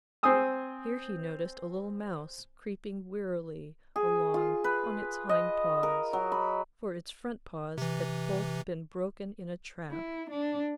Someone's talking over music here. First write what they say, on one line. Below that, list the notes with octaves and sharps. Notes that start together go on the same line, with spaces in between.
Here he noticed a little mouse creeping wearily along on its hind paws, for its front paws had both been broken in a trap.
C4 C5 G#5 D#6 E6
G#4
F4
B4
D#5
A#4
F#3
B5
C3 E3
E4
D4